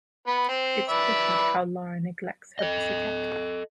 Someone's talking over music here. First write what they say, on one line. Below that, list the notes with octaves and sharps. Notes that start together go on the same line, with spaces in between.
It's wicked how Lara neglects her pussy cat.
B3 B4
C4 C5
B4 D5 E5
A4 D#5